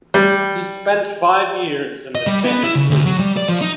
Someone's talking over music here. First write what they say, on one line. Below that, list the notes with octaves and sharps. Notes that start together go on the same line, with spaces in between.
He spent five years in the Spanish league.
G3
D#5
G3
B3
E4
C#3
D2
F#3
G3
D5
F3
D#4